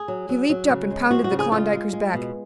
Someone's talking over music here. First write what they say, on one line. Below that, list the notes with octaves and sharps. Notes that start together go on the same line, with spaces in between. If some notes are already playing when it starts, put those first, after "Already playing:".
He leaped up and pounded the Klondiker's back.
Already playing: G#4
F#3
F#3
F#3
C#3
G#3
F3 F#4
F#4
C#3
G#4
G#3 F4
G#3
G#3
B2